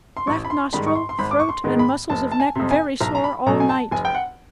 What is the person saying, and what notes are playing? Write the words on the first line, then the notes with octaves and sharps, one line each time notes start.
Left nostril, throat and muscles of neck very sore all night.
C6
A1 C#6
B5
C6
G#2 D#3 G3 B5
C#6
C6
C6
G#1 B5
D6
C#6
C6
G#2 D#3 G#3 B3
B5
F1 A5
A5
G#5
F2 C3
G#5
B1 A#5
A#5
B5
B2 F#3 A3 A#5
G#5
A5
F1 G#5
G5
F#5